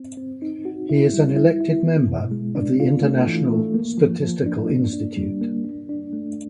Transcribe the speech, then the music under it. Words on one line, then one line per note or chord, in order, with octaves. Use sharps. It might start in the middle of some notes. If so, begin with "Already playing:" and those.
He is an elected member of the International Statistical Institute.
Already playing: C4
C4
D#4
F#4
E4
G3
E4
E4
B3
B2
G#3
D4
F4
A3
E3
A3
A#3
F3
F3
D4
A#3
D4
G3
A#3
D4
D4
A3